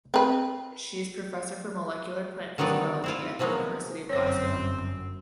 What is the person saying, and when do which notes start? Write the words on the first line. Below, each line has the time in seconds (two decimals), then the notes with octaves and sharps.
She is professor for Molecular Plant Physiology at the University of Glasgow.
0.14 C4 B4
2.58 D3 D#3 F#3 B3 D#4 D5
3.04 C4 E4 F4
3.39 C3 F3 F#3 G#3 A#3 B3
4.09 G1 F#2 C4 C5 C#5